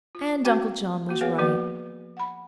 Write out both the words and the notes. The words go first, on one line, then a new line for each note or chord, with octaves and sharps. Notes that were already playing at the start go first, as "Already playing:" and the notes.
And Uncle John was right.
F4
A#3 C4 F#4 G5
A#3 F#4
B3 G#4 B4 C#5 F5 F#5
F3 A#3 F#4 B4
F#5 B5